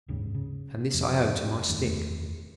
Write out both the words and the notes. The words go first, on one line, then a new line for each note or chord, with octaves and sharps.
And this I owe to my stick.
F#1 D#2 G#2 C#3
C#3
G1 F2
E1 F#2 D#3 A3